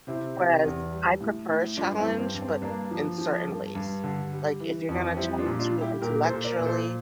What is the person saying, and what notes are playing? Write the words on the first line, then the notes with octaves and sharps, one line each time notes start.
Whereas, I prefer a challenge, but in certain ways. Like, if you're gonna challenge me intellectually,
C3 C4 E4
C3
E2
G3
A2
A2
G2 D4 F4
C4 E4
G2
C4
G2
C4
G2 A#3 D4
F3
F3
G2
G2
D3
G3
E3
F2
G3 C4 E4
D4 F4
A#2
D4 F4
G3
E4 G4
A#2 G4 A#4
A4 C5
A#2
A#4 D5
A#2
A4 C5